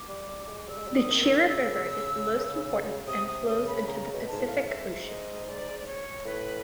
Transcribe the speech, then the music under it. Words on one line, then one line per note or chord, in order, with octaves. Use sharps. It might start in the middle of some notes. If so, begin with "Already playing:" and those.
The Chira River is the most important and flows into the Pacific Ocean.
Already playing: D6
G3
G3
G#3
G3 E6
G#3
G3
D#6
D#3
E6
C#3 E6
C3 D#6
D#6
C#3 D#6
B5
C#3 A#5
B2
A5
G#2
A2
F5
G#2 E5
D#5
D5
D5
C#5
A2 B4